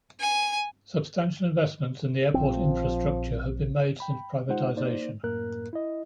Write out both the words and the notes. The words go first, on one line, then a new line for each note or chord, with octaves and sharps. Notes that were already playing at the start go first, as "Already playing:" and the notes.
Substantial investments in the airport infrastructure have been made since the privatization.
G#5
A#1 F3 C4
G5 B5
G#3 D#4 F4 C5 F#5
A#3 D#4 C5 D5
F#2 A2 A#3 A#4 F#6
E4 D#5